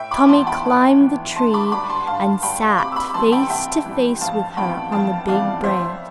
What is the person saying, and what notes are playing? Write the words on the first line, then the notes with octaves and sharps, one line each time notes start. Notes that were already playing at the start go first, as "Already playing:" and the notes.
Tommy climbed the tree and sat face to face with her on the big branch.
Already playing: A2 E5 G5
B5 D6
E3 B3 A5 C6
G5 B5
A2
E3 B3
D3 A5 C6
B5 D6
G3 D4 B5 D6
A5 C6
D3 F5 A5
G3 D4 G5 B5
C3 B5 D6
E6
B5 D6
E3 G3 A5 C6
G5 B5
C3 E5 G5
E3 G3
F2 F5 A5
C3 E3 B3 G5 B5
F2 F5 A5
C3 E3 B3 D5 F5
F2 C5 E5